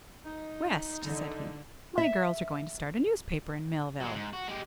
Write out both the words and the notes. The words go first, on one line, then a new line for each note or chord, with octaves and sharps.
"West," said he, "my girls are going to start a newspaper in Millville."
D#4
D3
E5
F#3 G#3
G#2
F#4
G#3 G4